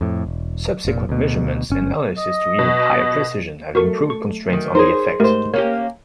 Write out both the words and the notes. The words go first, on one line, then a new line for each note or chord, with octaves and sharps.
Subsequent measurements and analysis to even higher precision have improved constraints on the effect.
F2 A2
E1
F1 A#2
D2 B2
G1 C#4
D#5
B2
A3 F#4 A#4 C#6
C#6
D2 D#3
D#4 G#4 A#4 C5 C#5
G#2 A3 G4 A#4 C5
A#3 C#4 G4 C#5